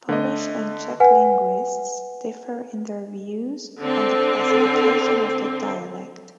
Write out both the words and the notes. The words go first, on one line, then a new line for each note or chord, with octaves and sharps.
Polish and Czech linguists differ in their views on the classification of the dialect.
D3 A3 D#5
B4 F#5 G#5
D3 C4